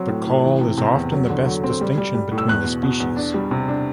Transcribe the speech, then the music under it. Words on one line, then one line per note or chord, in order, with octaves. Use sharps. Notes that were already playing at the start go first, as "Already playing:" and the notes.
The call is often the best distinction between the species.
Already playing: F#3 C4
A2
A2
E3
C3
C3
E2
F#3
D3
F#3
C4
G3
G3
G3
A2
E6
E2 F#6
B2
B2
E2
D4
G3
C3
D4